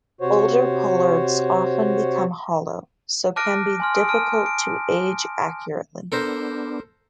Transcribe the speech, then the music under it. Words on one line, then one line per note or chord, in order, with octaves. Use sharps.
Older pollards often become hollow, so can be difficult to age accurately.
C3 F#4 C5 C#5
A5 D6 F6 F#6 A#6 D7
G#5 C6 F6
D#6 D7
A5 F6 D7
D7
B3 D4 A4 A#4 C5